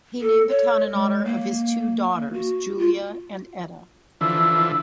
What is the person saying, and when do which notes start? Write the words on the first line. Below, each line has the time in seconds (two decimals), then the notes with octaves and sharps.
He named the town in honor of his two daughters, Julia and Etta.
0.21 A4
0.49 C#5
0.93 G#3
1.25 A#3
2.33 F#4
2.78 F4
4.21 D3 E3 F3 E6